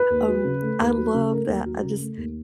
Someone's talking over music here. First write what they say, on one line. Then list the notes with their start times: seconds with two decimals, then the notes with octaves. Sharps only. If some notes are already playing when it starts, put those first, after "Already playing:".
Um, I love that. I just,
Already playing: B4
0.10 D#2
0.28 F#3
0.45 C#3
0.62 A3
0.80 D#2
0.96 F#3
1.14 C#3
1.31 A3 A#4
1.48 D#2
1.66 F#3
1.83 C#3
2.00 A3
2.17 D#2